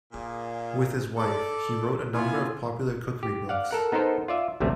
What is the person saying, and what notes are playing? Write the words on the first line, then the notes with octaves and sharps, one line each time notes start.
With his wife, he wrote a number of popular cookery books.
A#2 G#4
A4 D5
A#3 B3 E4 F4 G#5 C6
G4
D5 F5 F#5
A4 A#4 F#5
B3 D#4 A4 A#4 C5
F4 D5 E5
A1 D2 C3 G3 A3